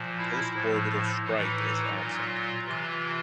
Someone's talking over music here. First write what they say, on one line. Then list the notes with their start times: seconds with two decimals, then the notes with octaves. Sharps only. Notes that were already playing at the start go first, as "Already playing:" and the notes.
Postorbital stripe is absent.
Already playing: A#2 F3
0.18 E4
0.54 A2 F3
1.24 A2 E3 D#4
1.96 A#2 F#3 F4
2.67 C3 E3 F4